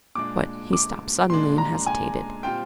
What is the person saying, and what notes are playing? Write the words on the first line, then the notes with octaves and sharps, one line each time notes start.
But he stopped suddenly and hesitated.
A#2 G#3 D4 D6
D6
A#2 G#3 D4 C6
A#5
G#5
A#2 G3 C4 F4 C5 G5